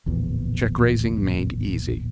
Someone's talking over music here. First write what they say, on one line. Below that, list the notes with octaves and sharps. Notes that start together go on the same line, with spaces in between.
Check-Raising Made Easy.
D1 A#1 E2